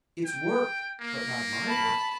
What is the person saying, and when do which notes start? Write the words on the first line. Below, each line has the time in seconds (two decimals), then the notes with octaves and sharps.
It's work--but not my work.
0.25 G5
1.00 A#3
1.66 A5 B5